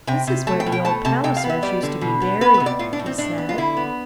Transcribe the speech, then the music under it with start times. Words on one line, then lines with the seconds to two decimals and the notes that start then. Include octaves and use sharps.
"This is where the old Pallisers used to be buried," he said.
0.07 C3 G5
0.27 C3
0.47 A3 A5
0.60 G5
0.66 B2
0.72 G5
0.85 A3 A5
1.05 C3 A5
1.24 C3 G5
1.37 F5
1.44 B3
1.49 E5
1.62 G3 D5
1.83 D3
2.01 B2
2.22 B3
2.41 B3 B4
2.54 B4
2.60 C3
2.66 D5
2.79 A2 F4
2.93 D4
2.99 A2
3.06 C4
3.18 A2 D4
3.38 B3
3.49 F4
3.58 D3 E4
3.77 B3